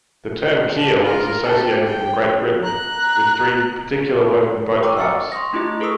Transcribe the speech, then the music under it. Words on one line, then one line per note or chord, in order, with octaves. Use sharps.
The term keel was associated in Great Britain with three particular working boat types.
D4
F4 A#4
G4 A4
G5
A#5 F#6
G5 A#5 C#6 D6 E6
E6 F6 A6 C#7
C6 C#6 D#6 A#6
A3 D4 E4 F4 G4 D#5
G#4 A4 B4 C#6 D#6 E6